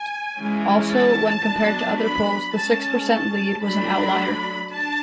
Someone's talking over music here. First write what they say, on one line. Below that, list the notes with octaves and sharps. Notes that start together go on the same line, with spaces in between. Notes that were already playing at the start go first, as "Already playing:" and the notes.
Also, when compared to other polls, the six percent lead was an outlier.
Already playing: G#5
E3 G#3 C#4
A5
F#3 B3 D4
B5
G#3 C#4 A5
A5
F#3 A3 D4 B5
D4 A5